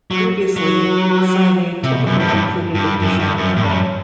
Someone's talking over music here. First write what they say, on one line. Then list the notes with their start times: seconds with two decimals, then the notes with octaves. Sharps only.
Previously, Side A typically included a dish antenna.
0.11 F#3
0.56 F#3
1.83 C3
1.92 B2
2.06 F#2
2.20 G2
2.28 A2
2.33 G2
2.75 G2
3.02 F#2
3.19 G2
3.38 F#2
3.56 A2
3.64 G2
3.71 F#2